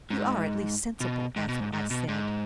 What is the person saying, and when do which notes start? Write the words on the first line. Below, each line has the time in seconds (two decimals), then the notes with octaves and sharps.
"You are at least sensible, Ethel," I said.
0.10 G#2
1.00 B2
1.36 G#2
1.49 B2
1.60 G#2
1.73 G#2
1.91 B2
2.08 G#2